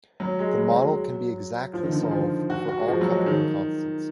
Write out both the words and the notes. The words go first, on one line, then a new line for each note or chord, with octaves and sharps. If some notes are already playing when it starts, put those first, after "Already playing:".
The model can be exactly solved for all coupling constants.
F#3
G#3
F#3
F#3
F#3
F3
D#3
D3
D#3
F3
F#4
F#4
G#3
F3
F#3
G#3
D#3